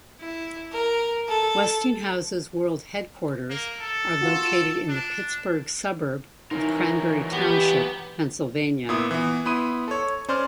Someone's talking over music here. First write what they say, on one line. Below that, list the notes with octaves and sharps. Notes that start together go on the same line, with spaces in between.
Westinghouse's world headquarters are located in the Pittsburgh suburb of Cranberry Township, Pennsylvania.
E4
A#4
A4
A#3
A4
F4 F#4
D4
E3 F#3 D#4 A#4
B3 G4
A#2 B3 E4 D#6
E3 B3
B3 E4 B5 C6 D#6 D#7
A4 C#5
C#4 C5 D5 C6 F6